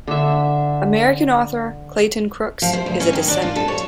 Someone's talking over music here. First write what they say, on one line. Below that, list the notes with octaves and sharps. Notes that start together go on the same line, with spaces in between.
American author, Clayton Crooks, is a descendant.
D3 E5
F3
C5
D2
C#4
D#3
D4
F4
A4
C#5